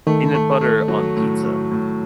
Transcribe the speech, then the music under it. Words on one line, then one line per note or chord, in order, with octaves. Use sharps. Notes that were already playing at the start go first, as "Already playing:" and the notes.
Peanut butter on pizza?
D#3 A3
A3
A3
F#3
A2
F#3
A2